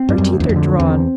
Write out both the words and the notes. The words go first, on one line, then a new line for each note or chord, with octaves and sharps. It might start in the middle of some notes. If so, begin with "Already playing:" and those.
Her teeth are drawn.
Already playing: C4
G2 G3
F#2
D2
E2
F2
D3
E2 C4